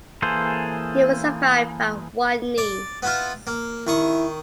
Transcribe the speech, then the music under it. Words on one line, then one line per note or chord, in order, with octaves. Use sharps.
He was survived by one niece.
E3 A#3 G#4 A4 C5
D5
B3 E4 F4
A#3
D#3 E4 C#6 D#6